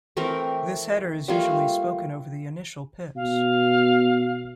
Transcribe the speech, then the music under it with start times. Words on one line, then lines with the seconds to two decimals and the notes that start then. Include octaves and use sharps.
This header is usually spoken over the initial pips.
0.17 E3 A3 C4 A#4
1.28 G3 A3 A#3 F4
3.16 B2 F5